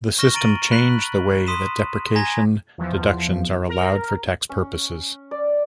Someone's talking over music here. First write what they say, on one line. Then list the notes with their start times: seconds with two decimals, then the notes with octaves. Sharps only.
The system changed the way that depreciation deductions are allowed for tax purposes.
0.19 C#6 F6 A#6 E7 G7
0.34 A#5 A6 D7 D#7 F#7
0.71 B5 F#6 B6 F#7
1.47 C6 D#6 B6 D#7 E7
2.15 G#5 A#5 G#6 A#6
2.78 E2 F3
3.69 A#4 A#5
4.49 C#4
5.31 D5